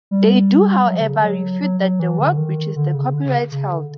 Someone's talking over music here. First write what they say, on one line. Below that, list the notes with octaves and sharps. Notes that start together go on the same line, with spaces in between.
They do, however, refute that the work breaches the copyrights held.
G3
F#3
F3
D3
C#3
D3
F#3
F#3
F#3
E3
D3
D#3
D3
C#3
D3
C#3
C#3
D3